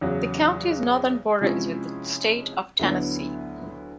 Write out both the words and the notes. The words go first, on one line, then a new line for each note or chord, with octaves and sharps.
The county's northern border is with the State of Tennessee.
E2 C#3 F#3
C3 F3 G#3 C#4 E4
D2 D3 F#3 B3 E4